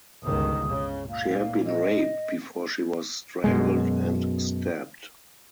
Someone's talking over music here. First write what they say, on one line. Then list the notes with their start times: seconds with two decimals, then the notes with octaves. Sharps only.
She had been raped before she was strangled and stabbed.
0.24 G1 C#2 D#3 D#6
0.69 C#3
1.09 A#2 F5
1.65 D#5
3.44 F#2 B2 G#3